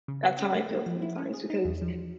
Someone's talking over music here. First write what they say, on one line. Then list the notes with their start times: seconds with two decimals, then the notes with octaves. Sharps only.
that's how I feel sometimes because
0.08 C#3
0.23 B3
0.39 C#4
0.55 A3
0.71 A#3
0.86 F3
1.02 E4
1.18 C#4
1.34 G#4
1.50 D#4
1.65 E2
1.82 F3